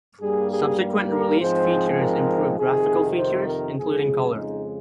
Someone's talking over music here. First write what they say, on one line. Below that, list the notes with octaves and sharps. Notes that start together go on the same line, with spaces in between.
Subsequent releases featured improved graphical features, including color.
G2 G3 A#3 G#4
G#4
A#4
G#2 F3 G#3 C4 C5
A#4
F2 C3 D#3 G#4
C5
A#4
F2 C#3 G#3 G#4
D#4